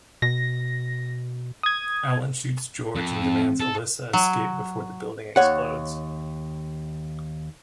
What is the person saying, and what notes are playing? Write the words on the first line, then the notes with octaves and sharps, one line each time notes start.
Allen shoots George and demands Alyssa escape before the building explodes.
B2 A#6
D#6 G#6
F2
C4
A4
F#3
D#2 C#5 F#5